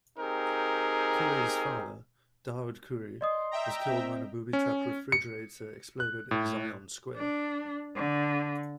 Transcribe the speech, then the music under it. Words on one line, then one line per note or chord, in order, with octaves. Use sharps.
Khoury's father, Daoud Khoury, was killed when a booby-trapped refrigerator exploded in Zion Square.
C4 D#4 G4 G#4 A#4
D5 D#5 C6 D#6
E5 G5 A#5
C4
C#4
C#7
F#6
A2
D4
D3